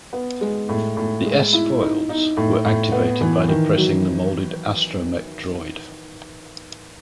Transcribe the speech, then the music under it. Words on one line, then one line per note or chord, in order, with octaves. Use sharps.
The "s-foils" were activated by depressing the molded astromech droid.
B3
G#3
A2
A2
G#3
E4
D#4
D#4
A2
A2
B3
E3
D#3
F#3